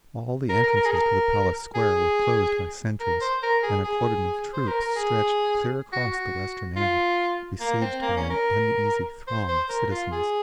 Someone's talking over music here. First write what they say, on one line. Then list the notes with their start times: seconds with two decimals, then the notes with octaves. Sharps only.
All the entrances to the Palace Square were closed by sentries, and a cordon of troops stretched clear across the western end, besieged by an uneasy throng of citizens.
0.49 A#4
0.63 A#4
0.77 A#4
0.86 G#4
0.91 A#4
1.75 G#4
3.00 A#4
3.21 C5
3.43 A#4
3.63 G#4
3.84 G#4
4.53 C5
4.67 A#4
4.82 A#4
4.96 G#4
5.93 F#4
6.14 F#4
6.77 F4
7.60 A#3
7.81 C4
8.02 A#3
8.17 C#4
8.30 A#4
9.27 C5
9.48 C5
9.69 A#4
9.91 F4
10.12 G#4